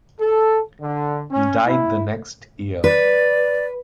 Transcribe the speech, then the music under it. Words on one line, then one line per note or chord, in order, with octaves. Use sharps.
He died the next year.
A4
D3
C#4
E4
B4 D5